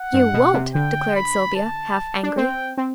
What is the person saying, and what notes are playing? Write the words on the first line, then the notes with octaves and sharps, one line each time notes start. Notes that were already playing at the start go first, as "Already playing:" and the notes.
"You won't!" declared Sylvia, half angrily.
Already playing: F#5
G2
B2
C3
D3 G5
B5
A5
D4
C4 G5
C4